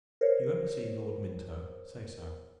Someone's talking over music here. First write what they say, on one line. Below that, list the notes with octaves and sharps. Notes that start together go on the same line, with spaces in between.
If you ever see Lord Minto, say so.
A#4 C5 C#5